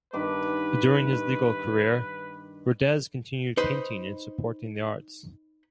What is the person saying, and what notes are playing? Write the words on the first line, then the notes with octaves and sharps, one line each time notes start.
During his legal career Rodez continued painting and supporting the arts.
G2 D#3 B4 D6
D#4 B4 C5 C6